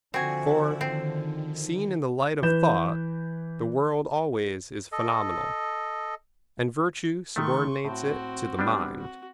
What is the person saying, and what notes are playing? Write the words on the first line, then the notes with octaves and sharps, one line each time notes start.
For, seen in the light of thought, the world always is phenomenal; and virtue subordinates it to the mind.
D3 F3 C4 F#4 D5 E5 F#5 G#5
D#3 C4
E3 B4 G6 E7
A4 D#5
D#3 A3 C6 C#6
A2 C4 F#4
G3 B3 D4
F#4